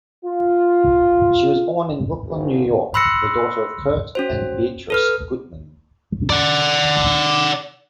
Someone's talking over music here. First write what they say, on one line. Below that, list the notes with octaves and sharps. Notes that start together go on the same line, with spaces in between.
She was born in Brooklyn, New York, the daughter of Kurt and Beatrice Gutmann.
F4
F#1
B5 C6 E6 F#6 A#6 C#7
C#4 F#4 C5
A4 B4 F6
D5 F#5